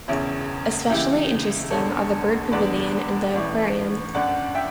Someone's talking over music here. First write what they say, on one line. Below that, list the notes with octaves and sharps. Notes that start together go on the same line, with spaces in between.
Especially interesting are the bird pavilion and the aquarium.
E1 E2 C#3 C#4 E4
C#2 C#3 E3 E4 G4
E1 E2 D3 A4 C#5
E1 E2 D3 B4 D5
A1 A2 E3
G1 F#2 D3 D5 F#5
E5 G5